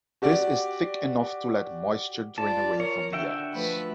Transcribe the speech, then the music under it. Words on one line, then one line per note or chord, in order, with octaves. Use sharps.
This is thick enough to let moisture drain away from the eggs.
F#4 G4 D5
F4 D5 A5
A#4 C#5
D3 F#4 E5 G5
F3 A3 B4